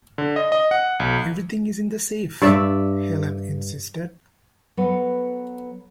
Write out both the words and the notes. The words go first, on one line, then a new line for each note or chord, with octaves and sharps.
"Everything is in the safe," Helene insisted.
D3
D#5
D#5
F#5
B1
G2 D5 E5
F#3 B3 A4 B4